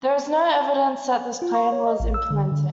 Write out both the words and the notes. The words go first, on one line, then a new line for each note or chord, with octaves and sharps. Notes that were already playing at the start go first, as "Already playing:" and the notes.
There is no evidence that this plan was implemented.
F4
C#6
C#5
D#5
A1
E6
D3
D3